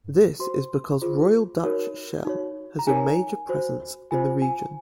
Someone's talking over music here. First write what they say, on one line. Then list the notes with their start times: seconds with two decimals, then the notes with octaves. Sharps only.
This is because Royal Dutch Shell has a major presence in the region.
0.40 F#4 C5 C6
1.02 F4 G#4 C5
1.64 D#4 F#4 A#4 C#5
2.25 D#4 F#4 C#5
2.79 A#5
2.87 D#4 A#4 C#5 G#5
3.49 F#4 C5
4.11 F4 C5 G#5
4.42 G#5